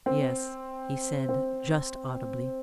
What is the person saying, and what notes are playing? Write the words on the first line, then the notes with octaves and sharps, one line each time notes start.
"Yes," he said, just audibly.
C4
C4